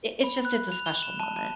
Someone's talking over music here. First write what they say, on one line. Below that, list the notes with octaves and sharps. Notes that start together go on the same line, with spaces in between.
it it's just it's a special moment.
B5
F#6
F7
G7
E7
A5
A5